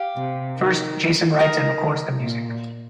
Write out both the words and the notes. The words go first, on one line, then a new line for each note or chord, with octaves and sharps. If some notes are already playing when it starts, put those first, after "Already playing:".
First, Jason writes and records the music.
Already playing: G4 F5
C3
D#3
D#3 A#4 D#5 A#5
A#2